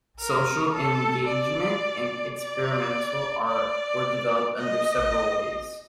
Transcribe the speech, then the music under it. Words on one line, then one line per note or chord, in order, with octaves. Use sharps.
Social engagement and experimental art were developed under several ways.
A#4
A4
D5
D5
D5
D#5